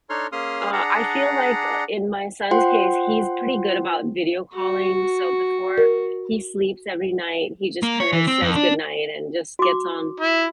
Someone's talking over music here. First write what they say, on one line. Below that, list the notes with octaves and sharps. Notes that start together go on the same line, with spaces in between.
uh, I feel like, uh, in my son's case, he's pretty good about video calling, so before he sleeps every night, he just kinda says goodnight and just gets on
D4 D#4 A4 C#5 C6 F6
A#3 C#4 G#4 C6 D#6 F6
D4 G#4 D5 F#5 A#5
F4 C5 F#5 G5 C6
F#4
A#4
A#3
C#5
E3
C4
F2
D4
F#4 D6
E4